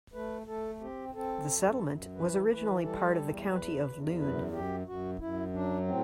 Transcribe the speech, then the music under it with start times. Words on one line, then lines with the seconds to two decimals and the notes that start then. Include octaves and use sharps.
The settlement was originally part of the County of Loon.
0.14 A3 B4
0.47 A3 A4
0.81 C4 G4
1.14 C4 A4
1.49 F#2
1.83 F#2
2.16 E3 B4
2.50 E3 B4
2.84 G3 A4
3.18 E2
3.51 E2 B4
3.85 E2
4.19 F#2 B4
4.52 F#2 G4
4.87 F#2 F#4
5.20 F#2 E4
5.54 F#3 D4
5.88 A2 C4